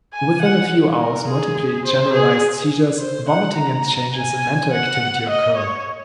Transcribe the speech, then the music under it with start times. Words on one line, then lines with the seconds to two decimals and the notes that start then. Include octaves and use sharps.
Within a few hours multiple generalized seizures, vomiting, and changes in mental activity occur.
0.13 G#5
0.42 F#5
0.99 A#4
1.27 G#4
1.85 C5
2.14 G#4
3.00 C5
3.29 F#5
3.56 A#5
4.14 G#5
4.72 F#5
5.29 D#5
5.57 C#5